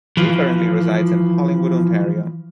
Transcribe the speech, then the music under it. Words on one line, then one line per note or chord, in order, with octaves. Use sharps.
He currently resides in Collingwood, Ontario.
E3 F3